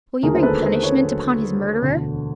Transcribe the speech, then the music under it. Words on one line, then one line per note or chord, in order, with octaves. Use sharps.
Will you bring punishment upon his murderer?
D#2 D3 F#3 A3 G#4 A#4
C5
A4 B4
A#4 C5
B4 C#5
D#2 D3 F#3 A3
E1 D2 D3